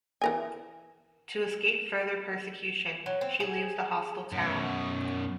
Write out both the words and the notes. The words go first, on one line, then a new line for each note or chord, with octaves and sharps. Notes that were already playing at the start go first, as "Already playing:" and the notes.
To escape further persecution, she leaves the hostile town.
E3 A#4 G#5
F#3
C4
G#4
F#2 B2